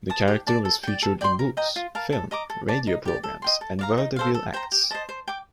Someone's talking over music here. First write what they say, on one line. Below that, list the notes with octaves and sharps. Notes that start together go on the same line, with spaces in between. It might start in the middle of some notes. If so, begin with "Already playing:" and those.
The character was featured in books, film, radio programs and vaudeville acts.
A5 D#6
G4
D5 A5
A4
D5 G5
A4
D5 G5 C6
A#4
D#5 G5 A#5
F4
A#4 F5 A5
A4
D#5 A#5 D6
A4
D5 A5
D#4
G4 D5
A4
D#5 G5 C6
A4
D5 F5 A#5
D#4
A4 C5 F5
A4
C5 G5 A#5
G4
C5 D#5 A5
C5
G5 D6